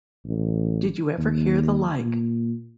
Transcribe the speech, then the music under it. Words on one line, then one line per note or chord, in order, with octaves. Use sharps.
Did you ever hear the like?
A1
D#2
A#2